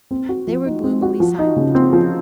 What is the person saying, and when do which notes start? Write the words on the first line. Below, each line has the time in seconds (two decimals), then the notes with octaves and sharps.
They were gloomily silent.
0.11 C4
0.29 F#4
0.47 F3
0.66 D#4
0.84 C4
1.02 F#4
1.20 F3
1.39 D#4
1.56 C#3
1.75 C4
1.93 F3